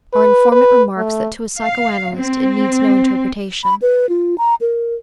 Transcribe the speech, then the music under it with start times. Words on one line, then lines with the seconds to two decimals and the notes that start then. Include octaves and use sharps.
Our informant remarks that to a psychoanalyst it needs no interpretation.
0.14 B4
0.51 B4
0.97 A3
1.59 F5
2.15 C4
3.64 B5
3.82 B4
4.09 F4
4.38 A#5
4.61 A#4